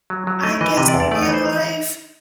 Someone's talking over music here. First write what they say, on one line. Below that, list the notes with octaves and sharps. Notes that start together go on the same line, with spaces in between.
I guess, in my life,
F#3
F#3
A3 D#5
E3 D#5
C3 D#5
D5
E2
D5
A3 D5
C#5
E3
C5